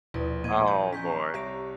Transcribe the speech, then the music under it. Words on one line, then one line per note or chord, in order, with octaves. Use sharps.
Oh, boy.
A#1 D#2 B2 E4 B4 D5
A#2 A#3 D#5 G#6 D#7
G6
C#4 G#5 A#5 C#6 G6 B6
C2 G4 C#5 E5 A#6 D7